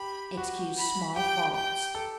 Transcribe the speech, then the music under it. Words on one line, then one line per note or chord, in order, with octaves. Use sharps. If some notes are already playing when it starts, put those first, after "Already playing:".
Excuse small faults.
Already playing: G4 B5
F#4
B5
G4 G5
G5
A4